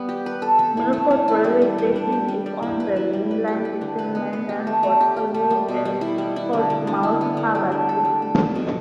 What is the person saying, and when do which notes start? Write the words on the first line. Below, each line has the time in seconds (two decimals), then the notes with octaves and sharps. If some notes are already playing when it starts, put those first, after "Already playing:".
Milford railway station is on the mainline between London Waterloo and Portsmouth Harbour station.
Already playing: G3 B3
0.09 G4
0.26 B4
0.42 A4
0.59 A4
0.77 E4
0.93 A3
1.11 A3
1.28 E4
1.44 G3
1.62 G3
1.78 G3
1.96 D4
2.12 G4
2.28 G3
2.46 G3
2.63 E4
2.80 B4
2.96 E4
3.13 G3
3.31 B4
3.48 G4
3.65 B4
3.81 D3
3.99 B4
4.15 B3
4.33 B3
4.49 G4
4.67 A3
4.83 A3
5.00 G4
5.17 G4
5.34 A3
5.50 G3
5.68 B2
5.85 G3
6.01 E4
6.18 G3
6.36 E4
6.53 D3
6.70 D3
6.87 D3
7.03 E4
7.21 B3
7.37 D3
7.55 G3
7.72 D4
7.89 A4
8.05 G3
8.22 A4
8.40 A4
8.55 B2